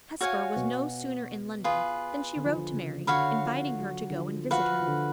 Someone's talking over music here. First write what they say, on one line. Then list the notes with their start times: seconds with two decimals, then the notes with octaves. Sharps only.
Hesper was no sooner in London, than she wrote to Mary, inviting her to go and visit her.
0.21 F#4 C#5 F5 G#5
0.56 B2
1.64 F4 G#4 B4
2.36 D3
2.45 F3
2.56 D3
2.72 C#3
3.07 D3 F#4 C#5 F5 B5
3.44 F3
3.78 F#3
4.10 D3
4.15 F3
4.51 F3 F#4 B4 F5
4.82 F3
4.87 D3